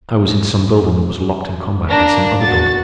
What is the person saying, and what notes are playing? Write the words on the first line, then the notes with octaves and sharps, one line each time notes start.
I was in some building that was locked in combat with some other building.
A#3 D4 A#6
F#4 A6